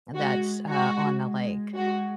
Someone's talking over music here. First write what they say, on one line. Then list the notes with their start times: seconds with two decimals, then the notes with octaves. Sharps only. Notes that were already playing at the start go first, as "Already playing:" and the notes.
that's, uh, on the lake.
0.15 G#3 F#4
0.68 G#3 F#4
1.22 G#3
1.75 G#3 F#4